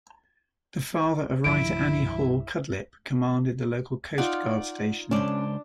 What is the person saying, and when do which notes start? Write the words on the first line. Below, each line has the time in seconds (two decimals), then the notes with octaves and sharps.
The father of writer Annie Hall Cudlip commanded the local Coastguard station.
1.44 C2 G2 D3 D#3 F3 E4 D7
4.18 D#4 F4 D5 F#5
5.11 C#3 G#3 C#4 D4 C5 D5